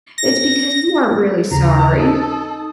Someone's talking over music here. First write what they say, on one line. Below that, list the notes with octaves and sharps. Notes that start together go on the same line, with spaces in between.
it's because you aren't really sorry
A#6
D#2 C#3 A#5
D#4 A4 D#6